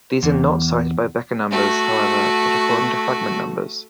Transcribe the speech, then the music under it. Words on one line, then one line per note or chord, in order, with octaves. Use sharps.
These are not cited by Bekker numbers, however, but according to fragment numbers.
E2
A3 F#4